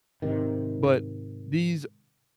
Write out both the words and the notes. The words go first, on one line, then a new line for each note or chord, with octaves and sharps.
But these
G#2 C3 D#3